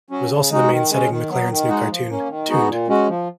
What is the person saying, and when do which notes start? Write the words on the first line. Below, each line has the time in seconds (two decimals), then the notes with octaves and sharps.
It is also the main setting of McLaren's new cartoon, "Tooned".
0.10 F#3 C#4 F#4
0.30 C#3
0.50 G#3 D#4 F#4
0.70 D#3
0.89 G#3 C#4
1.09 D#3
1.29 F#3 B3
1.49 D#3
1.69 G#3 D#4 F#4
1.89 F3
2.09 A#3 C#4
2.29 D#3
2.49 G#3 B3 D#4 F#4
2.68 A#2
2.89 G#3 C#4 F#4
3.08 F3